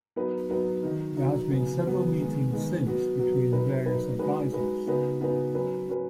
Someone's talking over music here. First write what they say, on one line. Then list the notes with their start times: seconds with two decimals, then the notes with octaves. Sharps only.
There has been several meetings since between the various advisers.
0.16 F#3 B3 D#4 B4
0.50 F#3 B3 D#4 B4
0.83 D#3 F#3 D#4
1.17 D#3 F#3 D#4
1.51 C#3 F#3 B3
1.84 C#3 F#3 B3
2.18 D#3 G#3 B3
2.51 D#3 G#3 B3
2.85 F#3 B3 F#4
3.18 F#3 B3 F#4
3.52 F#3 D#4 B4
3.86 F#3 D#4 B4
4.19 G#3 D#4 F#4 B4
4.53 G#3 D#4 F#4 B4
4.87 C#3 B3 D#4 F#4 B4
5.20 C#3 B3 D#4 F#4 B4
5.54 F#3 C#4 B4
5.88 F#3 C#4 B4